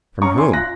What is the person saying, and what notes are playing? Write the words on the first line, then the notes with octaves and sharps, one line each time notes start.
From whom?
C#4 A#5 C#6
G#5 C6
F4 F#6 A#6